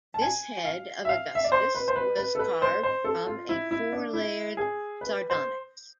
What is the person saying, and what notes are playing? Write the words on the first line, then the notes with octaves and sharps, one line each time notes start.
This head of Augustus was carved from a four-layered sardonyx.
A5
G#5
F5
E5
F5
E5
D5
C5
B4
C5
B4
B4
A4
B4
C5
C5
A4
F4
E4
E4
D4
E4
G#4
B4
C5